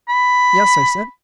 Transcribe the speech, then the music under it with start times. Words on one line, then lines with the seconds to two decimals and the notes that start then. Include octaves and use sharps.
"Yes," I said.
0.09 B5